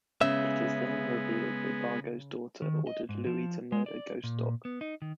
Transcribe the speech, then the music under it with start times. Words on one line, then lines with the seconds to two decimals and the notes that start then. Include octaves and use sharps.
It is then revealed that Vargo's daughter ordered Louie to murder Ghost Dog.
0.21 C#3 G#3 B3 E5
2.62 D#3
2.87 D#5
3.09 G#2
3.27 F3
3.72 G#3
3.86 D5
4.24 A#2
4.65 B3
4.81 D#4
5.02 D#3